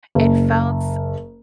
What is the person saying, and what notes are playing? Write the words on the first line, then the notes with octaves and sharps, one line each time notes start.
it felt
F#1